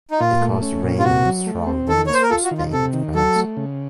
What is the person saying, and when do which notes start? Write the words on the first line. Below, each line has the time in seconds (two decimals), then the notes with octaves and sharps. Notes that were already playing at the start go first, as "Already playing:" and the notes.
It caused rain and strong winds for Spain and France.
0.11 D#4
0.20 A#2 F4
0.41 A3
0.62 C#4
0.83 A#2
0.99 F4
1.04 C3 F#4
1.26 F#3
1.46 A3
1.67 C4
1.88 D#3 A4
2.07 A#3 C#5
2.14 C5
2.22 A#4
2.30 F4 A4
2.44 F#4
2.51 D#3
2.58 F4
2.73 C3 A4
2.93 D#3
3.15 F#3 A4
3.36 A3
3.57 C#3